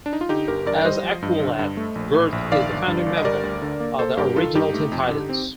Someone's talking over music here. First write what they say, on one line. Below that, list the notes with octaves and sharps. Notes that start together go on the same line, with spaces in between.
As Aqualad, Garth is a founding member of the original Teen Titans.
D4
D#4
F4
D3 D#4 G4
G1 G4 A#4
G2 A#4 D5
G3 C5 D#5
F3
G2
D3
G2
A3
A#1
A2
A#1
D#3 D5 F5
G1
G2
G1
D#5
G3 A#4 D5
D2
D3
A#3
A#3 A4 C5
G2 G4 A#4
D#3 F4 A4
G2 D#4 G4
A3
F2
D3
C4